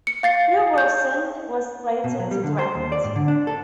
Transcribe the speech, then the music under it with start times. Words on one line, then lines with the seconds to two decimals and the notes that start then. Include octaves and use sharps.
Hugh Wilson was slated to direct.
0.07 C#7
0.23 F5 A6 C7
0.78 G6
2.04 B2
2.19 F#3
2.31 G3
2.44 D3
2.59 C5
2.75 D#2
2.92 D5
3.04 G#2
3.16 D3
3.28 D4
3.47 A4